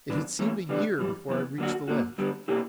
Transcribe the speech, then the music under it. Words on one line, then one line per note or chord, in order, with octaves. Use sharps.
It seemed a year before I reached the ledge.
G2 E3 B3 D4
E3 A#3 C#4
C#3 E3 G3 B3 D4
F#2 E3 G3
F#2 E3 B3
D3 F#3 A#3 D4 F#4
A#2 A#3 C#4 F#4
G2 D3 G3 B3
B2 A#3 C#4 E4 G4